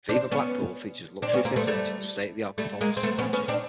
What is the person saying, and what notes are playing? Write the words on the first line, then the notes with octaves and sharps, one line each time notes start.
Viva Blackpool features luxury fittings and state-of-the-art performance technology.
C4 D4
B3 C#4
C4 D4
B3 C#4
A#3 C4
A3 B3
G3 A3
G3 A3
G#3 A#3
C4
A3 B3
B3 C#4
B3 C#4
C4 D4